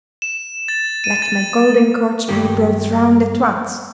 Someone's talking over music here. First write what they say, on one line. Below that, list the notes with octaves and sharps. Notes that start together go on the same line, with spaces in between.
Let my golden coach be brought round at once.'
E7
A6
D#7
A6
G2 D#3 A#3 G4